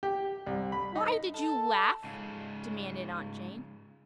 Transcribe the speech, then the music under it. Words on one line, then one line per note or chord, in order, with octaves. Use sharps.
"Why did you laugh." demanded Aunt Jane.
G4
C2
B5
D#4
A4
G#2 C#3